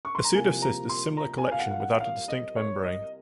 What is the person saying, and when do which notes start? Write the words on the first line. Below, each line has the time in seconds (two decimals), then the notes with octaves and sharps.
A pseudocyst is similar collection without a distinct membrane.
0.05 C#6
0.15 C6
0.24 A#5
0.34 C2 C3 F3 A#3 G#5
0.62 A#5
0.89 C6
1.17 A#5
1.38 G#5
1.52 F5
1.59 F#5
1.71 F5
1.80 F#5
2.00 F5
2.28 D#5
2.56 C#5
2.84 D#5